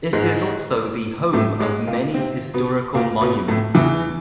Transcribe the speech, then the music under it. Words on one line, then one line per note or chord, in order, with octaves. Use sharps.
It is also the home of many historical monuments.
G#2 G#3
A2 A3
G#2 G#3
A#2 A#3
C3 C4
B2 B3
A#2 A#3
B2 B3
A2 A3
E2 E3